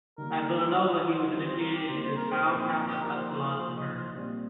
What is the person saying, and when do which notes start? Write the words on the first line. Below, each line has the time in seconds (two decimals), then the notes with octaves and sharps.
At Villanova he was initiated into the Tau Kappa Epsilon fraternity.
0.18 D#3 G3 A#3 D#4 A#4
0.67 C5
0.75 F3 D#4 G4 D#5
0.94 D#5
1.12 C5
1.31 G3 C4 F4 C5
1.45 C5
1.59 A#4
1.74 G4
1.88 C3 G3 A#3 D#4 C5
2.03 C5
2.16 A#4
2.31 C5
2.44 A#2 F3 C4 F4 C5
2.58 C5
2.73 A#4
2.87 G4
3.01 F3 A#3 D#4 G4 A#4
3.15 C5
3.30 C5
3.44 C5
3.58 A#2 F3 D#4 C5
3.77 D#5
3.96 C5
4.15 A#2 G3 C4